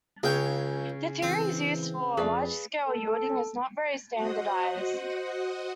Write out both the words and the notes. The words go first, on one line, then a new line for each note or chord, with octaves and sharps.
The theories used for large scale yielding is not very standardized.
C#2 C#3 G#4 C#5 G5
E3 C4
F2 G#4 B4 D5 F5
A4
F#4 C5 D#5 F#5 D#6